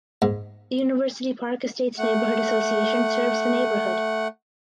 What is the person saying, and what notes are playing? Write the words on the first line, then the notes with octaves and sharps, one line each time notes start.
The University Park Estates Neighborhood Association serves the neighborhood.
G#2
A3 F#5